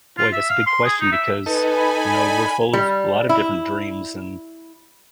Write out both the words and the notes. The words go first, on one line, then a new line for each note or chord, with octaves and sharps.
Boy, that's a big question because, you know, we're full of a lot of different dreams and,
F4
E5
F5
C6
G#4
D#4
E5
D#4 A4 B4 G#5 B5
D5
G3
E4